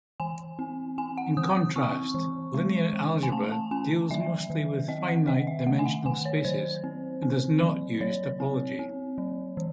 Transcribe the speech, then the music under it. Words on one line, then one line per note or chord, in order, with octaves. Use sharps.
In contrast, linear algebra deals mostly with finite-dimensional spaces, and does not use topology.
E3 G#5
C4
C4 G#5
F#5
E3 D#6
D#6
C4 C#6
E3
G#3
E3
G#5
A3 A5
A5
C#4 G#5
F#3 E5
D#3
C4 D#5
F#5
D#3 D#5
E5
A3 F#5
G#5
F#5
D#3 G#5
C#5
F#3 C5
C4
C4
F#3
F#3 C#5
C4
C4
F#3
E3